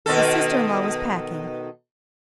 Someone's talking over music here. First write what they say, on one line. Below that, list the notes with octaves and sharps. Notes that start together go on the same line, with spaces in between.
His sister-in-law was packing.
B2 D#3 A4